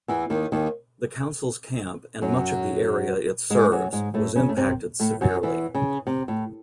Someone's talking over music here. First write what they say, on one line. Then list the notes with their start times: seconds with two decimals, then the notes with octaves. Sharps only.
The Council's camp, and much of the area it serves, was impacted severely.
0.08 E2 E3
0.30 D#2 D#3
0.52 D#2 D#3
2.22 F#2 F#3
3.50 G#2 G#3
3.72 F#2 F#3
3.93 G#2 G#3
4.14 A2 A3
4.36 C#3 C#4
4.49 A3
4.57 C3 C4
5.00 A2 A3
5.21 F#2 F#3
5.43 E2 E3
5.75 C#3
6.07 C3
6.28 A2